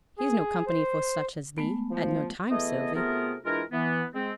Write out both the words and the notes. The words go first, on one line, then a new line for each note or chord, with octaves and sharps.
He's no company for such as thee, at no time, Sylvie.'
G#4
C5
G#3 A3 B3
F3
E3 A3 B3 G#4 D#5
C3 A3 B3 F4 G#4 A#4
E3 G#3 D4 E4 F4 A#4
E3 B3
G#3 C4